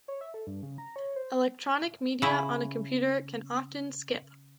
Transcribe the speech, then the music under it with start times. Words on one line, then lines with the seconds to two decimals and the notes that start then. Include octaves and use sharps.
Electronic media on a computer can often skip.
0.08 C#5
0.21 E5
0.34 A4
0.47 G2
0.63 C#3
0.78 A#5
0.96 C#5
1.16 C5
2.22 C#3 E4